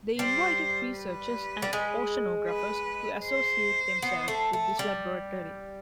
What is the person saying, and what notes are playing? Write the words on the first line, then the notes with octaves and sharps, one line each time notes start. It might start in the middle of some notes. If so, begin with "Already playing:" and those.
They invited researchers and oceanographers to associate themselves with this laboratory.
G3 C5
B4
G3
G#3
B4
C5
B3
A3
A3
G3